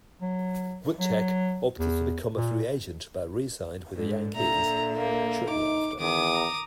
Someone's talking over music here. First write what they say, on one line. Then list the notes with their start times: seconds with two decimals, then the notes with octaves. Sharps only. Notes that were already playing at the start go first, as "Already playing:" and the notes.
Bootcheck opted to become a free agent, but re-signed with the Yankees shortly after.
0.22 F#3
1.00 F#3
1.79 E2
2.35 A#2
3.94 G#2 D3
4.36 A#2 D3 E5 A#5
4.97 A#3
5.49 D#4 D6
6.00 E2 D#3 D6 D#6
6.33 A#5